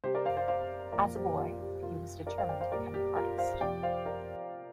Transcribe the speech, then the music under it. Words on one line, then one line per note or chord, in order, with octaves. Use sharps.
As a boy, he was determined to become an artist.
C3 G3 G4 C5
A#4 D5
C5 F5
C5 F5
C5 F5
A#2 F3 A#4 D5
G4 C5
F4 A#4
G4
C3 G3 F4 A#4
A#4 D5
C5 F5
D5 G5
C5 F5
A#2 G3 A#4 D5
G4
F4 A#4
C5 F5
C3 F3 D5 G5
C5 F5
A#4 D5